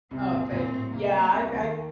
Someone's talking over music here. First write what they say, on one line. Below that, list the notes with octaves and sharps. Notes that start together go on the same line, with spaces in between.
Oh, thank you. Yeah. I I
C2 C3 C4
A#1 A#2
A#1 A#2 C4
A2
C2 C3 A#3
C2 C3
D#2 D#3